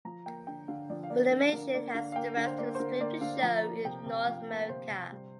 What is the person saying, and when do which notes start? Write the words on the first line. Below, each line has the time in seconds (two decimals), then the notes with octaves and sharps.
Funimation has the rights to stream the show in North America.
0.05 F3 A#5
0.26 A#3 G5
0.47 D3 G5
0.68 D3 F5
0.90 F3 D5
1.03 F5
1.10 A#3 D5
1.31 D3
1.52 D3 A#4
1.74 A#3 D5
1.94 D3 F5
2.12 F5
2.16 A#3 G5
2.37 D3
2.46 C5
2.58 A#3 D5
2.75 C5
2.79 D3 A#4
3.00 A#3 D5
3.21 D3 F5
3.42 F3 A#5
3.64 A#3
3.85 C3 G5
4.06 C3
4.27 F3 F5
4.48 A#3
4.69 C3 C5
4.91 C3
5.12 G3